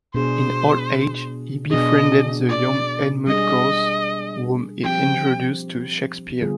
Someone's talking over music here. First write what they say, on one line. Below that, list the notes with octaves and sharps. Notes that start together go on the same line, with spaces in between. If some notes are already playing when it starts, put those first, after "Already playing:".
In old age he befriended the young Edmund Gosse, whom he introduced to Shakespeare.
B2 B3 D4 G#4 C5
B2 B3 D4 G#4 D#5
D5
G3 D4 G#4 D#5
F3 C4 G4 G5
D3 G3 B3 F4 G#4